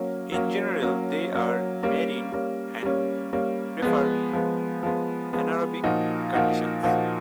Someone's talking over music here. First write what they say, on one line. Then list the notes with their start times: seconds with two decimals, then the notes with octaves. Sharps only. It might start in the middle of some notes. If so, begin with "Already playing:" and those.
In general, they are marine and prefer anaerobic conditions.
Already playing: F#3 A#3 C#4
0.32 F#3 A#3 C#4
0.83 F#3 A#3 C#4
1.33 F#3 A#3 C#4
1.83 G3 A#3 C#4
2.32 G3 A#3 C#4
2.83 G3 A#3 C#4
3.33 G3 A#3 C#4
3.82 F3 G#3 B3
4.33 F3 G#3 B3
4.83 F3 G#3 B3
5.33 F3 G#3 B3
5.83 A#2 F3 A#3 D#4 F#4
6.33 A#2 F3 A#3 D#4 F#4
6.83 A#2 F3 A#3 D#4 F#4